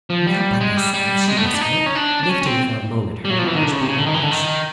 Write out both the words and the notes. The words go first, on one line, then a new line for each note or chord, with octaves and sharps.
"Not by myself," she whispered, lifting for a moment her large blue eyes.
F3
G3
G#3
G3
G3
G#3
A3
B3
D4
D#4
C#4
D4
D4
C#4
C#4
C4
G3
F#3
F3
E3
D#3
D3
C#3
C3
C#3
D3
D#3
E3
D3
D#3